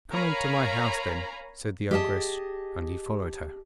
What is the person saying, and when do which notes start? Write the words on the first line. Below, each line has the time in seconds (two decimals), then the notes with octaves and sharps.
'Come into my house, then,' said the ogress, and he followed her.
0.12 A#4 C#5 F5 G#5 A#5 B5
1.91 G4 G#4 D#5 E5 A5